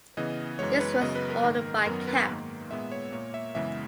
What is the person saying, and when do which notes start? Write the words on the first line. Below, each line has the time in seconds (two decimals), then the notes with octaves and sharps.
This was ordered by cap.
0.17 C#3 E3 B3 D#5
0.59 F#2 E3 G#3 B3 C#5
0.80 B4
1.01 F#2 C#3 F#3 B3 D#5
1.16 B4
1.30 A#4
1.44 G#2 D#3 A#3 A#4
1.86 F#2 D#3 F#3 B3 A#4
2.07 B4
2.28 G#2 D#3 A#3
2.70 A#2 G#3 B3 E5
2.92 C#5
3.12 A#2 A#3 C#5
3.34 E5
3.55 F#2 C#3 E3 G#3 B3 E5